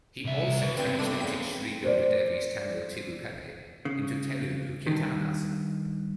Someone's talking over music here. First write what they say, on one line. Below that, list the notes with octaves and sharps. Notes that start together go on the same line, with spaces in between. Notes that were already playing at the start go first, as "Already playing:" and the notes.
He also translated Sri Goda Devi's Tamil Tiruppavai into Telugu Keertanaas.
C2 E5
C#3 B4
G2 B3 C4 G5
A3 D4
C#3 G5
C5 D5
C#3
G2 D#3